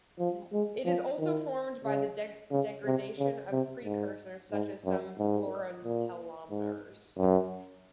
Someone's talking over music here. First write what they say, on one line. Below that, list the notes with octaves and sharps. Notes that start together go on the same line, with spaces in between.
It is also formed by the degradation of precursors such as some fluorotelomers.
F3
G#3
F3
D#3
C#3
C#3
C3
C#3
C3
G#2
G#2
F#2
G#2
A#2
G#2
F#2